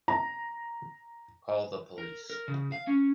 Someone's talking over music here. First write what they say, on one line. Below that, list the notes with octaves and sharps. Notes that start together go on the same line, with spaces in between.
Call the police.
A#5
A#4
A#4
C#3
F5
C#4